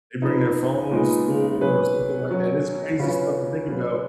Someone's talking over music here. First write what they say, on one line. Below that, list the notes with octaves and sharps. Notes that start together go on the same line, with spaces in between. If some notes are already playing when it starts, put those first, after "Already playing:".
they bring their phones to school or something like that, it's crazy stuff to think about
F3 B3 D#4
A#2 G#3 B3 D#4
F#3 C#4 G#4 B4
B2 F#3 C#4
C#3 F#3 C#4 F4 B4
F#3 C#4 G#4 B4